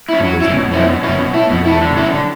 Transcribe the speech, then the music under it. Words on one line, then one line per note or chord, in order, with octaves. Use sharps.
She was an American, a New Englander.
C#4 E4
F#3
C#4 E4
B2
F#3 C#4 E4
B2
F#3 C#4 E4
B2
A3 E4
B2
A3 E4
D3
F#3 C#4 E4
D3